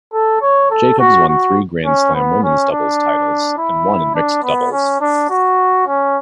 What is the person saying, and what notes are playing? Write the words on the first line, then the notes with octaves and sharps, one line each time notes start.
Jacobs won three Grand Slam women's doubles titles and one in mixed doubles.
A4
C#5
A4
F#4
F#4
C#4
B3
C#4
D4
E4
D4
B3
C#4
D4
F#4
C#4